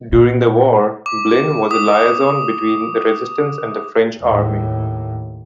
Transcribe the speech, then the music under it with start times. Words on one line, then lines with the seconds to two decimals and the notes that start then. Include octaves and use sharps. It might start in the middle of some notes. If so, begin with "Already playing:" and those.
During the war, Blin was a liaison between the Resistance and the French Army.
0.12 A#2
1.06 D6
1.71 D#6
4.22 D#2 A2